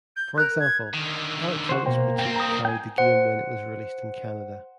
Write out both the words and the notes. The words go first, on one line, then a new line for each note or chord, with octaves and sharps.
For example, Electronics Boutique carried the game when it was released in Canada.
G6
A#4 F#6
G#6
D3 D#3
F#4 C5
B2 A#3 C5 G5
G2 C4 G5
A#5 D#6
G5 G#5
C5 F#5